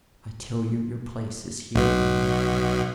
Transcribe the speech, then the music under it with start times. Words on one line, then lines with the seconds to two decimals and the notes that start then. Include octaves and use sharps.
I tell you, your place is here in my home.
1.75 B1 B2